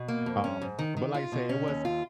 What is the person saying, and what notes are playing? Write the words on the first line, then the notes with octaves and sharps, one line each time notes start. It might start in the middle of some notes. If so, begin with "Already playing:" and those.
um, but, like I say, it was
Already playing: B2
A#3
F2
C#4
G#2
D#3
D#3
F4
B2
C#4
D#2
F4